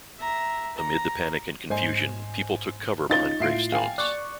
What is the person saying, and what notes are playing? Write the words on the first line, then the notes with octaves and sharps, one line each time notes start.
Amid the panic and confusion, people took cover behind gravestones.
E5 A#5
A#5
G#2 C5 D#5 G#5
C#4 D#4 F4 A6 G7
A2 E4 F4 E5 C7 D7
F5 G5 G#5
D5 C#6 F#6